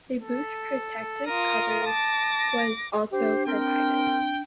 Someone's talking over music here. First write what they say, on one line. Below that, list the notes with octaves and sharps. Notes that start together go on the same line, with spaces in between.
A boost protective cover was also provided.
A4
F4 A#4 D#6
A5 D6 A#6
D4 G4 C5
C4 A#4 G5